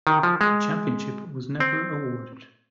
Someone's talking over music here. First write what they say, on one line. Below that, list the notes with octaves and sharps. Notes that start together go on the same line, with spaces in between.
The championship was never awarded.
D#3
F3
G#3
C4